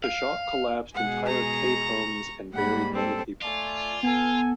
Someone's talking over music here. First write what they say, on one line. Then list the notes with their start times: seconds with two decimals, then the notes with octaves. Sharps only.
The shock collapsed entire cave homes and buried many people.
0.04 F5
0.95 B2 G#3 G#4 F#5
1.26 A#5 C#6
2.54 G#2 G3 A#3 F#5 B5
2.93 C4 A4
3.42 A3 F4 D5 G#5
4.03 B3 A4 G#5